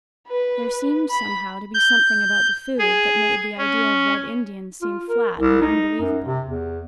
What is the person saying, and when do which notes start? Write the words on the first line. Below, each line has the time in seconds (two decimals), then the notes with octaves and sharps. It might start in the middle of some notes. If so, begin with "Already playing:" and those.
There seemed somehow to be something about the food that made the idea of Red Indians seem flat and unbelievable.
0.28 B4
1.10 B5
1.74 G6
2.79 G#4
3.58 C#4
4.82 F4
5.09 A#4
5.38 C2
5.61 D#4
6.00 F#2
6.26 C3
6.46 E2